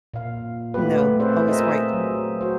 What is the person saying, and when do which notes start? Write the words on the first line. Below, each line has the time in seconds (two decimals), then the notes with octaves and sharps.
No, always white.
0.14 A#2 F5
0.74 A3 B3 F4 G4 B4
1.19 C4 G#4 C5 D5 E5
1.48 F4 G#4 A#4 C5 D#5 E5
1.93 F#3
2.41 F#4 C5